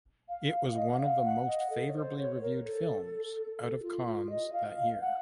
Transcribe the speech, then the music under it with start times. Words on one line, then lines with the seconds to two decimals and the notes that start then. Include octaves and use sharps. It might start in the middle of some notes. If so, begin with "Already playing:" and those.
It was one of the most favourably reviewed films out of Cannes that year.
0.29 F5
0.71 F5
0.76 D#5
0.89 F#5
1.00 F5
1.24 F#5
1.47 D#5
1.70 A4
1.88 C#5
1.95 C5
2.18 C#5
2.42 A#4
2.64 A4
3.60 A4
3.83 F4
4.06 F4
4.30 D#5
4.53 F5
5.01 F#5